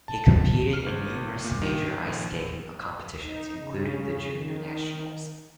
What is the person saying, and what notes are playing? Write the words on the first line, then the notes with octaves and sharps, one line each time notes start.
He competed in numerous major ice skating competitions, including the Junior Nationals.
A5
F6
G#1
A#2
D#3
A#1
D#4
C#3
D#3